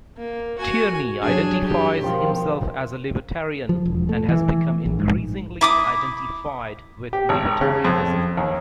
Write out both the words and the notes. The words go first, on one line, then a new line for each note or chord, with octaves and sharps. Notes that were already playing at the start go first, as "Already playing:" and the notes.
Tierney identifies himself as a libertarian and has become increasingly identified with libertarianism.
A#3
F#4 G#5
G2 F#3 D4 G#4
F#2 G4
B2 D#3 F3 C4 F4
F3
E1
A3
E3
A#1
G#2
E4 D6 D#6
G4
G#1
C#3
F2
D#2